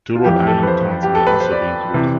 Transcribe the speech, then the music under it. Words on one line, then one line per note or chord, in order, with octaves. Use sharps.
Two Rhode Island towns may also be included.
F4
F2 E3 G4
A4
B4
C5
G4
A4
B4
C5
D5
C3 E3